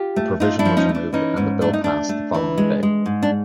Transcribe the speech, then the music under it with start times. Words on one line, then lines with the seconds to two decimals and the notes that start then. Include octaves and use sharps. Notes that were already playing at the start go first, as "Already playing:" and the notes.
The provision was removed, and the bill passed the following day.
Already playing: F4 G4
0.16 A3
0.40 A3 D#4 F4
0.59 D4 E4
0.65 F3
0.77 C#4 D#4
0.89 A3
0.95 D4
1.13 E3 C#4 D#4
1.37 G#2 C#4
1.61 A3 D4
1.73 D#4
1.84 A3 D4
2.09 A3
2.34 E3
2.58 G#3
2.83 G#3
3.06 G#2
3.23 D4